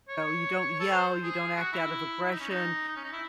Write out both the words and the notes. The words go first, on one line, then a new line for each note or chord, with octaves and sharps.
you don't yell, you don't act out of aggression,
C#5
A4
C5
G#4
F#4
E4
E4
D#4
C#4
D#4
D#4
C#4
D#4
E4